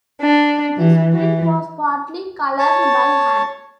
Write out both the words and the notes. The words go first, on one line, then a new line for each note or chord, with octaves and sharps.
This print was partly coloured by hand.
D4
E3
E3
C#5 A5